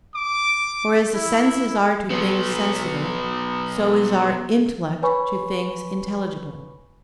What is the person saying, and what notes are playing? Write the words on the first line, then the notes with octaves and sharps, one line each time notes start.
For as the senses are to things sensible, so is our intellect to things intelligible.
D6
E4
F#3 B3
B4 C#5 G#5 B5 C#6